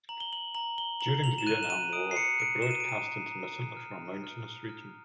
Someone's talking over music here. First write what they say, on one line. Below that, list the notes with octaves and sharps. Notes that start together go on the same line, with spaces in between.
During the Vietnam War it broadcast intermittently from a mountainous region.
A#5 F#7
G7
F#7
A#5 F#7
G7
A#5 F#7
F7
E7
F#6 D#7
E7
D#7
D#6 D7
C7
C#7
F#6 D7
E7
D#7
D7
A#5 D#7
A#5
F6
F6
F6